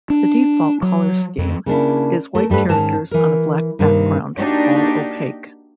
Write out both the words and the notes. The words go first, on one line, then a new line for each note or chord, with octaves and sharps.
The default color scheme is white characters on a black background, all opaque.
D4
F#3
F2
C#3 A#3 D4 E4
A3 A#4
G2 G3 A3 B4
G#2 D#3 C#4 A#4 A5
E3 A#4
G2 C3 D#3 A#3
A#3 D4 D#4 F#4 G4